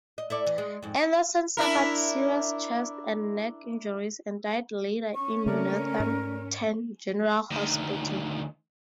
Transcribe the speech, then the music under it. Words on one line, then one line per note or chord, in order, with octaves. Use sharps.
Anderson suffered serious chest and neck injuries and died later in Northampton General Hospital.
D#5
E4 A4 D5
E3
G#3
F2 G#2
D4 E4 A#4
C#4 C#6
C#3 A3 A#3 C4 A#4 D5
G#2
D2 D#3